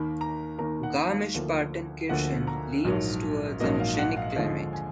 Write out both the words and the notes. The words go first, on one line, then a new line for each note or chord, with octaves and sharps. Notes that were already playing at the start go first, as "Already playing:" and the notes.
Garmisch-Partenkirchen leans towards an oceanic climate.
Already playing: D#2 D#3 A#3 B5
A#5
D#2 D#3 A#3 A#5
F#5
F5
D2 D3 F3 A#3
D2 D3 F3 A#3 F#5
A#5
A#1 G#2 F#3 A#3
A#1 G#2 F#3 A#3 D#5
F5
F#5
F5
D#2 D3 F3 G#3 F5
G#5